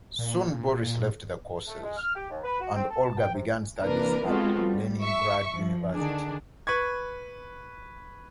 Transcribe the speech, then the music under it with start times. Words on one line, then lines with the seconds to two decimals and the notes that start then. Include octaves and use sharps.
Soon Boris left the courses, and Olga began studies at the Leningrad University.
0.19 A#2
1.68 A3
1.83 G#3
1.97 F6
2.15 G4
2.30 D#2
2.44 B4
2.60 F#4
2.74 C4
2.90 A4
3.04 A5
3.18 G5
3.34 C3
3.81 C3 E3 A#3 D4 A#4 B4
4.25 G#3 B3 C4 F4 F#4 A4
4.62 G3
5.00 E5 C#6
5.53 F3
5.92 D3 D#3 D4 G#4
6.67 B4 B5 C#6 G#6